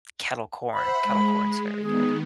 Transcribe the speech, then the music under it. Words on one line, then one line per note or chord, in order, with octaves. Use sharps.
kettle corn, kettle corn's very good.
C5 E5 F#5 B5
G#3
D#3 B3 G#4